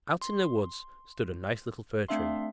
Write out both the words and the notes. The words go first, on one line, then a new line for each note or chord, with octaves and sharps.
Out in the woods stood a nice little Fir Tree.
C6
A3 C4 D4 E5 F5 C6